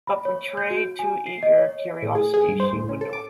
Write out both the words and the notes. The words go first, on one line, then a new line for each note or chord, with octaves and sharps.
But betray too eager curiosity she would not.
B5
C#5
G6
F#4
G#5
C7
D#5
C#5
A2
G#4
G#4
G2
C5
A2
C#4
A4
D6